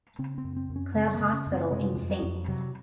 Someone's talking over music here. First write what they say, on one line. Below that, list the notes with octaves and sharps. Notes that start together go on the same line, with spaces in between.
Cloud Hospital in St.
C#3 C4
C4
F#2
C4
F#2
C#4
C#3 C4
A#3
C#3
C#4
F#2
C4
C3 G#3
F2
F#3
F2
C3 F#3